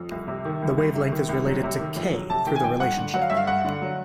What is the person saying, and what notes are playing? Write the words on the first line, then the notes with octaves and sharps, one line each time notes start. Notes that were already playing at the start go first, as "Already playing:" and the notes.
The wavelength is related to "k" through the relationship.
Already playing: F2
C2
C3
D#3
C2
C2
C3
D#3
C2
F#3
C3
D#3
F2
F#3
C3 A5
D#3 G5
G#5
F2 G5
G2 F#5
D3
F#3 F#5
F5
G2 E5
F5
G2 F#5
D3
F#3